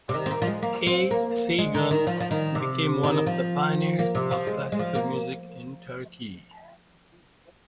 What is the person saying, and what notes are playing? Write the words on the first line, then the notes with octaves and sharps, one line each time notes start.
A. Saygun became one of the pioneers of classical music in Turkey.
C3
D#3
C4
A#3
F3
G#3
A#3
C4
A#3
G#3
D#3
D#3
F3
F3
D#3
C3
D#3
F3
A#3
C3
F3
G#3
G#3
F3
A#3